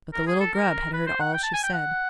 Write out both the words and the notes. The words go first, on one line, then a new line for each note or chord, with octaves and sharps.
But the little Grub had heard all she said.
A#4
G#4
A4
A#4
B4
C5
F#5
G5
A5
G#5
G5
F#5